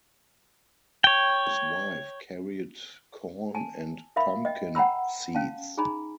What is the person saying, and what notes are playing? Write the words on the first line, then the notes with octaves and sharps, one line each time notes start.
His wife carried corn and pumpkin seeds.
C#5 G5
G#5 A5
A#4 E5 F5 B5
D#5 G5
F#5 G5 A#5 B5 E6
C#4 F5 G5 A5
D#4 G#4 G#5 A#5 B5